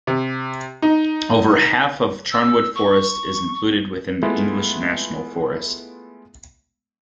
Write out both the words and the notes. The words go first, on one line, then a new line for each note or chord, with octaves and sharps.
Over half of Charnwood Forest is included within the English National Forest.
C3
D#4
E6
C#6
G#3 A3 B3 E4 F4